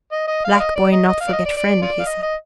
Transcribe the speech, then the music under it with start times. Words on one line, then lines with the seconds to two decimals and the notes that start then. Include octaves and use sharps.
"Black boy not forget friend," he said.
0.12 D#5
0.27 D#5
0.44 F5
0.55 D5
0.60 D#5
0.76 D5
0.92 D#5
1.08 D#5
1.21 F5
1.28 D5
1.32 D#5
1.45 D5
1.57 D5
1.82 F4 D5
2.00 F5
2.06 D#5
2.22 D#5